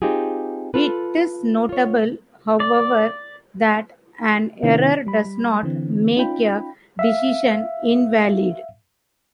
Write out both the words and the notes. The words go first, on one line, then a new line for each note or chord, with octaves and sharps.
It is notable, however, that an error does not make a decision invalid.
C4 D#4 F4 G4 G#4
F4 A4 B4
F4 C#5
D5
C3 D#3 B3 C#4 E4
G3 B5
D3 E3 C4
C#4 D#4 F4 G5 B5
E5 F5